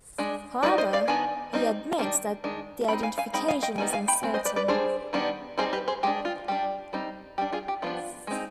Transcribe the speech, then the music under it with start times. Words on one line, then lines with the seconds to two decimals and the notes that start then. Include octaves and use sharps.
However, he admits that the identification is uncertain.
0.18 G#3 D4
0.63 G3 C4 D#4 B4 D5
0.78 C5 D#5
0.93 D5 F5
1.08 D#3 B3 D4 G#5
1.53 G3 C4 D#4
1.98 D#3 G3 D4
2.44 D#3 G#3 D4
2.88 F3 C4 D#4 G5 B5
3.03 F5 G#5
3.18 F5 G#5
3.33 G#3 C4 D#4 G5 B5
3.48 F5 G#5
3.63 D#5 G5
3.78 D#3 G3 B3 D#4 G#5
3.93 F5 G#5
4.08 G5 B5
4.23 G#3 C4
4.34 C5 D#5
4.45 B4 D5
4.56 B4 D5
4.68 G3 D4 G#4 C5
5.13 D#3 G3 B3 D4
5.58 G3 C4 D#4 G#4 C5
5.73 G4 B4
5.88 G#4 C5
6.03 G#3 D4 G4
6.25 F4
6.48 G3 D4 G4
6.93 G3 C4 D#4
7.38 G3 D4 G4
7.52 F4 G#4
7.68 G4
7.82 F3 B3 D4 F4
8.27 G#3 C4 D#4